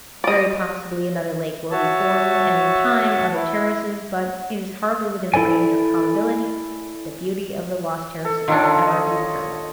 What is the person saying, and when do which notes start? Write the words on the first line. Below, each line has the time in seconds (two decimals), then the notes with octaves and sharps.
Very possibly another lake will be formed, and in time other terraces; but it is hardly within the range of probability that the beauty of the lost terraces will ever be paralleled.
0.24 D5 D#5
1.71 F#4 C#5 E5 A5
3.33 E4
5.34 E4 A4 D5 G#5
8.25 A4
8.48 D#3 D4 F4 A4 C#5
8.87 D#5